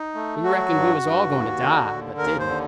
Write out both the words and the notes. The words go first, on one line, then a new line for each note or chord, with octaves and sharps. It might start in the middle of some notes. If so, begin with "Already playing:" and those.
We reckoned we was all going to die, but didn't.
Already playing: D#4
A3
F#3 F#4
G2
G2
D#2
D3
D#2
D#2 A#4
C5
D3